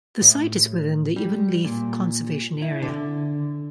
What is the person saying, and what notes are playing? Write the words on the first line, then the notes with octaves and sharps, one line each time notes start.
The site is within the Inverleith conservation area.
A2
G3
A#2
E4
D3